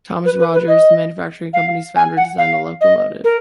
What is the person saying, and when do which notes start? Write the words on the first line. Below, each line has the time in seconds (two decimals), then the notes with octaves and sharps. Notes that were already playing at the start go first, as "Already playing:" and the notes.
Thomas Rogers, the manufacturing company's founder, designed the locomotive.
0.25 B4
0.39 B4
0.53 B4
0.68 D#5
1.53 F5
1.96 G#5
2.17 F#5
2.38 F5
2.81 D#5
3.24 A#4